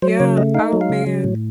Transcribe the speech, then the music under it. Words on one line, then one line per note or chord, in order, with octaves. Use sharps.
Yeah, oh, man.
F#3 C5
C#3 C#5
A3 D#5
D#4 F5
F#3
F5
C#3
F#3
A2